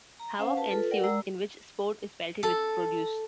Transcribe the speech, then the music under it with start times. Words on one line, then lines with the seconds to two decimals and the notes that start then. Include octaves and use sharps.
Havoc ensues, in which Spode is pelted with produce.
0.20 A#5
0.39 C#4 C5 F5 F#5
0.57 B4 A5
0.69 F4 A4 B4
0.91 A#4 D5 F#5 G5
1.03 G#3 D5 A#5 E6
2.43 A4